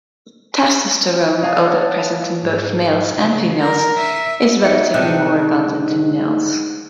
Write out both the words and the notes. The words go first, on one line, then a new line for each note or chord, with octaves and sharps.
Testosterone, although present in both males and females, is relatively more abundant in males.
C#5 D#5 F5 F#5 G#5 A5
G#2
C#3
A#4
E5
B1 D#5 E5 C#7
G#2 C3 D#3 D4 F#6